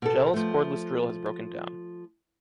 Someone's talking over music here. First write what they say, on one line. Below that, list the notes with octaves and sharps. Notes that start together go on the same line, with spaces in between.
Jelle’s cordless drill has broken down.
B2 B3 A4
F3 A3